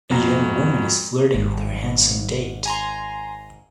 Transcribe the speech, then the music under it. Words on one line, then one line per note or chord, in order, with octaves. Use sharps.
A young woman is flirting with her handsome date.
F2 F#4 A#5 A#6
G#1
G#5 A#5 C6